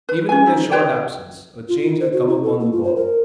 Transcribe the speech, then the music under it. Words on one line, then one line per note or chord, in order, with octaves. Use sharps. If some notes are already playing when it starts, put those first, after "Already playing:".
Even in their short absence a change had come upon the ball.
B4
C#4 G#5
D#4 E4
G4 B4 C#5 G5
F4
E4
C5
F#4
E4
A4
A#3
F4
C5
A#4